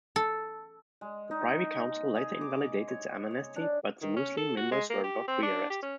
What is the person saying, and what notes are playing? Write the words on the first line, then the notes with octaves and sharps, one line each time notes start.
The Privy Council later invalidated the amnesty, but the Muslimeen members were not re-arrested.
A4
G#3
D#4
G#4
D6
C#5
C#5
D4
D#3
C#4
A4
F#4
G#3
A#3
G4
C4
D4
G4
C#4